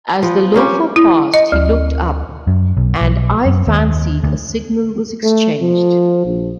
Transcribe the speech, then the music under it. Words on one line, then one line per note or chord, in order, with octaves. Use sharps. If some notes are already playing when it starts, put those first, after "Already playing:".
As the loafer passed he looked up, and I fancied a signal was exchanged.
F3 B3
A#3 C#4 G4 C5
E4
D#5
D2
F#2
B1
B1
F#2
D#2
D2
A3
F3
A#1